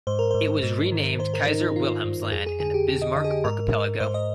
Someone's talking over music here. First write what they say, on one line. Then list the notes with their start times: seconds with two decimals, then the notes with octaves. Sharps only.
It was renamed Kaiser-Wilhelmsland and the Bismarck Archipelago.
0.07 G#2 C5
0.19 A#4
0.31 G#2 C5
0.63 G#2
0.91 D#3
1.19 D#3 C5
1.34 A#4
1.47 D#3 D#4
1.61 D#4
1.76 D#3 F4
2.04 G2
2.31 F2 G#4
2.46 G#4
2.60 D3 G#4
2.74 G4
2.89 D3 G4
3.02 D#5
3.16 D3 D#5
3.24 G#4
3.30 G4
3.45 G#2 A#4
3.72 G#2
4.00 G#2 C5
4.14 D#5